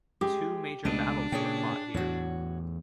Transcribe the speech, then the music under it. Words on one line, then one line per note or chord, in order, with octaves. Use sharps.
Two major battles were fought here.
G#3 G4
C#2 B2 A3 D4 B4 D#5
A#2 C#3 G#4 C#5 G5
E2 A2 F#4 C#5